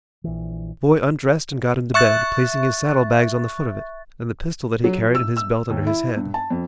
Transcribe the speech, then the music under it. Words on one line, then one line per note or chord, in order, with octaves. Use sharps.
The boy undressed and got into bed, placing his saddle bags on the foot of it, and the pistol that he carried in his belt under his head.
A#1 E3
E5 C#6 F#6 A6
F#3
F3
E6
E6
D#2
E4
G2
A5
F2